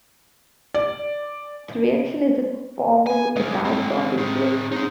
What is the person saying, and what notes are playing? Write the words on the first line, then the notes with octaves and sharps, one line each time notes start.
The reaction is a formal dyotropic reaction.
D5
G#5
G#3 C#4
G#3 C4
C4 G#4
D#4 G#4